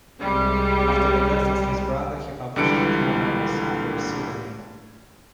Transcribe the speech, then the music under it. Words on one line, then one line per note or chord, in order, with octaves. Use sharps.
After the death of his brother, he published two more novels under a pseudonym.
C2 C3 G3 G#3
C#2 D3 E3 G3 C#7 D7